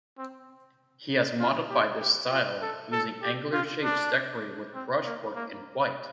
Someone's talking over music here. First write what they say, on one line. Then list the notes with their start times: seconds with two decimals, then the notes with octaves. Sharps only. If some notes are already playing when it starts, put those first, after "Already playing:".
He has modified this style, using angular shapes decorated with brushwork in white.
0.18 C4
1.40 F4
1.70 G4
2.00 G4
2.31 F4
2.62 A4
2.92 A4
3.22 G4
3.53 F4
3.84 D4
4.75 C4
5.05 A#3
5.35 A#3